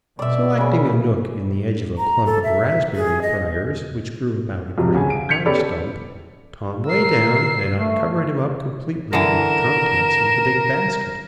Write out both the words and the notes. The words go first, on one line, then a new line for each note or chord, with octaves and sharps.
Selecting a nook in the edge of a clump of raspberry briars which grew about a great pine-stump, Tom lay down, and I covered him up completely with the contents of the big basket.
B2 D5 E5
C#3 B4
A#5
A4
E5
G#4
D#5
F2 C3 F3 F#3
D2 C#3 G#4 G#5
D7
G6 G#6 B6 C#7 F7
B3 C#4 G4 A4 D5 B5
A#4 E6 C7
A3
D3 E3 A#4 E7